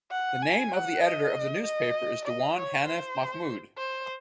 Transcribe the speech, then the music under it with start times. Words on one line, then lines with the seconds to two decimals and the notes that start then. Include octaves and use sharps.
The name of the editor of the newspaper is Dewan Hanif Mahmud.
0.11 F#5
0.42 G#5
0.73 F#5
1.03 D#5
1.64 D#5
2.25 D#5
2.56 C#5
2.86 C5
3.77 C5